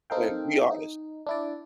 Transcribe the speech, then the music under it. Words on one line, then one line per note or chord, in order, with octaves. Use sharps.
Like, be honest.
C4 D#4 A4 A#4 F5 G5
D#4
D4 E4 D5